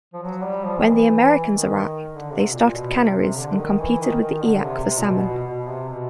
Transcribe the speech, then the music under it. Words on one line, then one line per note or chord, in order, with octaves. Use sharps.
When the Americans arrived they started canneries and competed with the Eyak for salmon.
F3
F#3
G3
F3
D#3
E3
D#3
D3
C3
A#2
B2
C3
C3
D3
D#3
E3
D#3
D#3
D3
C3
C3
A#2
B2
B2
B2
C3
B2